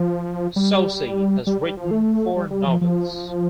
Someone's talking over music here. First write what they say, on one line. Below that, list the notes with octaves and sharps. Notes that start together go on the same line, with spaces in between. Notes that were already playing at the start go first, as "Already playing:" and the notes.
Soucy has written four novels.
Already playing: F3
G3
G3
G3
F3
A3
G3
G3
F3
F3